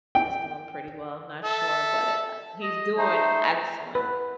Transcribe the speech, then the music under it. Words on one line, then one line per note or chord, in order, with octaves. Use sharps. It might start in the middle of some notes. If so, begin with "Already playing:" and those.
that's doing pretty well, I'm not sure, but he's doing excellent.
G5
A4 E5
D#5
A3 D#4 C5
B4